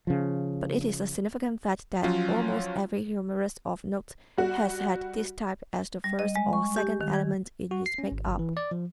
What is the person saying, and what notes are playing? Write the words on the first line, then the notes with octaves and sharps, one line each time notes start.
But it is a significant fact that almost every humorist of note has had this type as the first or second element in his makeup.
C#3 F3
F3 F#3 C#4 F4
G3 F#4
G3
D#5
G#3
C#6
G4
D#3
G#6
F#4
C7
C#4
G#1
G1
E3
D5
F3